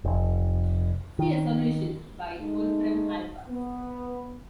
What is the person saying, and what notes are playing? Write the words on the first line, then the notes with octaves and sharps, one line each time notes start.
See a solution by Wolfram Alpha.
F1
D#3
G#3 A3 D#4
B3